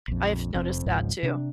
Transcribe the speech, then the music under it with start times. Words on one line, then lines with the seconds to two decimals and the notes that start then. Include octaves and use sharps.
I've noticed that too.
0.08 A#1 F2
0.54 F1 F2 C4
0.86 G#1 C#2 G#2 F3
1.23 C3 C#4 D4